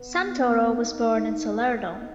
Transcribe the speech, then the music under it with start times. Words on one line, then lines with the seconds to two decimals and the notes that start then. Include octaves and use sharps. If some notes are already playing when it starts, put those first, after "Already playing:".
Santoro was born in Salerno.
Already playing: B3
0.41 B3
0.78 D#4
1.15 D#4